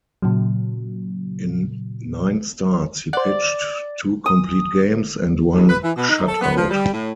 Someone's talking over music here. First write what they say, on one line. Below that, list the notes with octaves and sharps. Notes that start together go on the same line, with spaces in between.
In nine starts, he pitched two complete games and one shutout.
A#2 C#3 F#3
C5 D5 F#5
D#6
D#2
B4
E3
B2
D#4
A4
B3
F3
G3
A2